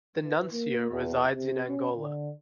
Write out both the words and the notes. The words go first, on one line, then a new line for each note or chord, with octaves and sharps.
The nuncio resides in Angola.
E3
A#3
E2
C3
C#4
D3